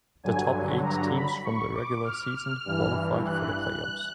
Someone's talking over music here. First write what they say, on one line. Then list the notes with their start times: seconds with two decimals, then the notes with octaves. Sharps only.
The top eight teams from the regular season qualified for the playoffs.
0.23 G2 D3 F#3 G#5
0.84 A#5
1.14 B5
1.44 C#6
1.75 D6
2.05 F6
2.65 G2 E3
3.26 F#6